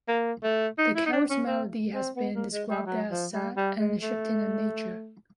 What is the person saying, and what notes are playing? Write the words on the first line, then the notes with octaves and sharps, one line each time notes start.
The carol's melody has been described as "sad" and "shifting" in nature.
A#3
A3
D#4
E4
D#4
D4
C#4
C4
C4
B3
A#3
G#3
G3
F#3
F3
G3
G3
G#3
A3